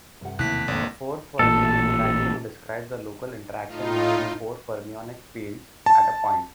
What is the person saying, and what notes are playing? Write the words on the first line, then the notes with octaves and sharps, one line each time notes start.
A four-fermion interaction describes a local interaction between four fermionic fields at a point.
G2 C3 F#5
E1 D#2 C3 A3 E4 F#6 B6
G#1 D3 A#3 D5
A1 A#2 A4
A2 D#4 F4
A5